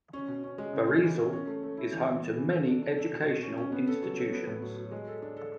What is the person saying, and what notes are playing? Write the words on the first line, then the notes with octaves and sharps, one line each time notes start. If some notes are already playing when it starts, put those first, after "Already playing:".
Barisal is home to many educational institutions.
C#4
B2
C#4
G#3
C#3
G#3
E3
C#4
C#4
A3
A3
E4
E3
E3
B3
E3
A4
D4
D4
A4
B2
B2
C#4
C#4
B3
A4
F#3
A4
B3
A2
F#3
F#3
G#3
A4
D4
A4